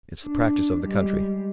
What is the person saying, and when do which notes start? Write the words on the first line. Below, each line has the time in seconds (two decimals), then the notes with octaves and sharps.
It's the practice of the country.
0.24 D4
0.80 G3 G#3